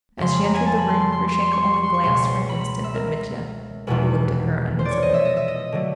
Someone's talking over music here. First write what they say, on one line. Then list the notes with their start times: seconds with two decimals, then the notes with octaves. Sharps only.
As she entered the room, Grushenka only glanced for an instant at Mitya, who looked at her uneasily.
0.18 F2 C#3 F3 G#3 C6
0.31 B5
0.43 A#5
0.54 G#5
0.66 A5
0.78 B5
0.89 C6
1.00 C6
1.12 C6
1.27 C6
1.42 C6
1.53 C#6
1.63 C6
1.73 C#6
1.83 C6
1.94 C#6
2.03 C#2 B2 G#3 C6
2.15 C#6
2.25 C6
2.49 B5
2.61 B5
2.84 E5
2.95 A#4
3.87 F1 E2 B2 G#3 B4
4.79 C5
4.85 D5
4.91 C#5
5.02 D#5
5.14 E5
5.25 D#5
5.37 E5
5.48 D#5
5.72 D3 F#3 A3